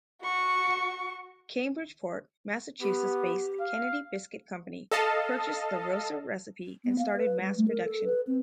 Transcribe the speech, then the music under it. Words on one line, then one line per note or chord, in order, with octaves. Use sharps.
Cambridgeport, Massachusetts-based Kennedy Biscuit Company purchased the Roser recipe and started mass production.
F#4 C#6
B3 G4
F5
A4 D#5 F5 A5
B3
F5
B4
G3
A3
A#4
A4
B4
C4